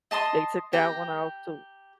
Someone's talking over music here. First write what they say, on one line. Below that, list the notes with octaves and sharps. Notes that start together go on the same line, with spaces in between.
They took that one off too.
D#5 A5 C6 D#6
G4 G5 A#5